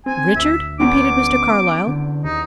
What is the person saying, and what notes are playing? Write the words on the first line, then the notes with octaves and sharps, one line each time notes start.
"Richard!" repeated Mr. Carlyle.
C4 G#5
D2 E5
E2 B3 C#4 D6
D3
D#2 D#4